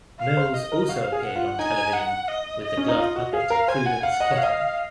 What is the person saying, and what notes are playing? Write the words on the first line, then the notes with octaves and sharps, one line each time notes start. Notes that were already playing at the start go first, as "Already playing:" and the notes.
Mills also appeared on television with the glove puppet "Prudence Kitten".
F5
C5
D#5
A#4
F#4 F5
G#4
F#5
F4
D#4 G#5
F#5
D#5
D#5
C#4
D#4
F4 D#5
F#4
G#4 F5
A#4
C5 G#5
F#5
F5 F#5
D#5
C#5
F5
D#5